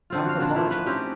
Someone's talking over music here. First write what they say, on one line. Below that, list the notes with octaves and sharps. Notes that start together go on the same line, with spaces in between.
Counter polished.
D3 C4 F4
F#4 F5
A#2 F3 B3 D4
F3 A3 E4
B4
C4 C#4 D#4 G4